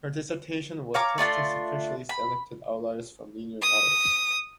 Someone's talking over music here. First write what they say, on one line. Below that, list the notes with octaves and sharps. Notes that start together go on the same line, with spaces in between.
Her dissertation was "Testing Sequentially Selected Outliers from Linear Models".
C#5 F5 A#5 D6
A3 D4 F4 C6
B5
D#6